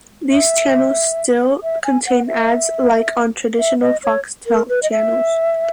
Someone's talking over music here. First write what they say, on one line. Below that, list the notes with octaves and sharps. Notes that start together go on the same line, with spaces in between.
These channels still contain ads like on traditional Foxtel channels.
E5
E5
G#5
F#5
E5
E5
D#5
C#5
A#4
B4
D#5
E5